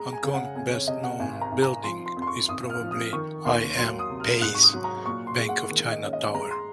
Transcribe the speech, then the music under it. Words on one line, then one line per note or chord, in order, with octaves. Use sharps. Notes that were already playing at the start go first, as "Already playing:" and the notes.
Hong Kong's best-known building is probably I. M. Pei's Bank of China Tower.
Already playing: G#3 A#5
G#5
C#3
F#5
F2 G#5
C#5
C3 D#5
F#5
G#1 G#5
A#5
G#1
A#5
F3 C6
C6
F2
C6
C#6
G#1 D#6
F6
F3
D#6
D#3 C#6
D#2 C6
F#3 C6
D#6
C3
F6
G#2 F#6
C#6
D#6
F#3
A#5
A#2 C#6
C6
G#3
F#5
D#3
D#5
C#4
D#5
G#3 A#5
C6